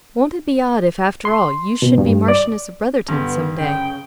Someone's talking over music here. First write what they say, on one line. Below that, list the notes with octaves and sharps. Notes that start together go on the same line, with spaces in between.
Won't it be odd, if after all, you should be Marchioness of Brotherton some day?
C6
B2
G2
D5
G2 D3 B3
C#3 G5